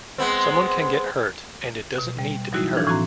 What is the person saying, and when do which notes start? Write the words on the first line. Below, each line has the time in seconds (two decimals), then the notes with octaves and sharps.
Someone can get hurt and it doesn’t need to be her.
0.18 G#3 B3 C4
1.98 B2
2.19 G3
2.52 E3 F#3 G3 D#4 E4 F#4
2.74 E3 F3 D4 A4
2.87 A2 E3 C4 F#4 A#5